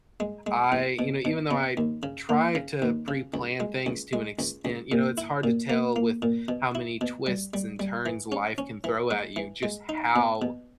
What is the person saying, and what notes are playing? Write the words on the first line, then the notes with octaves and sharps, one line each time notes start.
I you know, even though I try to pre-plan things to an extent, you know, it's hard to tell with how many twists and turns life can throw at you, just how,
G#3
G#3
E2
B2
B2
B2
D#2
C#3
A#3
C#3
D#2
C#3
C#2
G#3
C#2
G#3
C#2
C#2
A#2
E4
A#2
A#3
A#3
A#2
B2
E4
B2
G3
G3
G3
E3
C#4
C#4
E3
G#3
E3
G#3
D#4
B2
B2